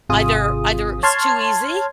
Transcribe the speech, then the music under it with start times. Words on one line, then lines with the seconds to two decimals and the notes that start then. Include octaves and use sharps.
Either either it was too easy,
0.09 G#1 C3 F4 G#4 D#6
1.03 C#5 A5 C6 F6 G#6